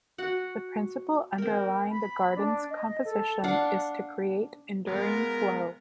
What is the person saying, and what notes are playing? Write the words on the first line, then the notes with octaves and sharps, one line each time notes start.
The principle underlying the garden's composition is to create enduring flow.
F#4 F#5
C4 A#4
B5
D4
D#5
A4
D4 F5 F#5
G#3 B3 F4 A#4